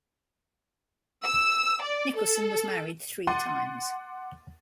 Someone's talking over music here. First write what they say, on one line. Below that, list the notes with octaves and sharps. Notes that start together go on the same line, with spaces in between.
Nicholson was married three times.
E6
D5
A4
F#5 C6 D6 A6 D#7